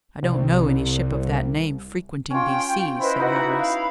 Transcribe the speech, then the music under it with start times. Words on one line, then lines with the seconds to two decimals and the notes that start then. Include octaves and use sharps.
"I don't know any ship of that name frequenting these seas," said Hatteras.
0.23 C2
2.30 C#4 F4 G5
3.00 E4 B4 C5 D#5
3.20 D#4 F#4 B4 F#5
3.55 F5 B5